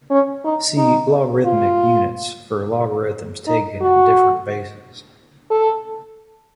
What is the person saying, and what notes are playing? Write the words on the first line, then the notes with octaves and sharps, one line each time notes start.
See logarithmic units for logarithms taken in different bases.
C#4
D#4
D#4
F4
D#4
F#4
A4